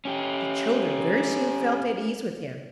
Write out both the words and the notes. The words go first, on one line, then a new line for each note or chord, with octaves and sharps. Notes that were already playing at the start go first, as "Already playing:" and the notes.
The children very soon felt at ease with him.
C#4 G4